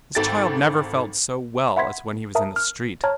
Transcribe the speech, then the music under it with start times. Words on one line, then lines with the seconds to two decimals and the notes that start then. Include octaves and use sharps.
This child never felt so well as when he was in the street.
0.15 G#1 A4 G5 A6
1.76 E5 F#5 B5 C6 G#6 B6
2.35 A#4 E5 A5 A#5 D#6
2.56 F6
3.04 C#5 A5 A#5 F6 G#6